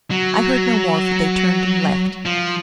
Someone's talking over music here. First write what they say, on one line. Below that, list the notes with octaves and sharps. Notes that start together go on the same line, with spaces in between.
I heard no more, for they turned and left.
F#3
F3